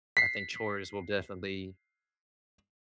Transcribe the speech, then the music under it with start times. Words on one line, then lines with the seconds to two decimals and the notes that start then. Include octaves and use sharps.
I think chores will definitely
0.17 B6 C7